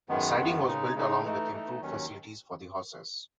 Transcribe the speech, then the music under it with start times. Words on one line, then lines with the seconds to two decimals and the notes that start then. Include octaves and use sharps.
A siding was built along with improved facilities for the horses.
0.09 F#2 D#3 G#3 B3
0.38 F#2 D#3 G#3 B3
0.66 C#3 G#3 D#4
0.95 C#3 G#3 D#4
1.23 E3 A3 D#4
1.51 E3 A3 D#4
1.81 D#2 D#3 F#3 C#4